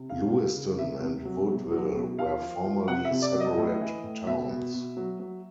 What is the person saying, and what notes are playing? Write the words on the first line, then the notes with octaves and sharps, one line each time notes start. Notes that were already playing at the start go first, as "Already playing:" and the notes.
Lewiston and Woodville were formerly separate towns.
Already playing: C3
C#3 F5
C#3
C#3
C3 E5
C3
F#3
B2
F#3
B2
F3 F5
F3
F3
C3 F#5
E5
C3
D5
F#3
D#5
A2
E3
A2
B2 E5
B2
B2
F#3
F#3